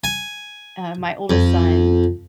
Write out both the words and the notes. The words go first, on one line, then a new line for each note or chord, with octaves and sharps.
uh, my oldest son
G#5
F2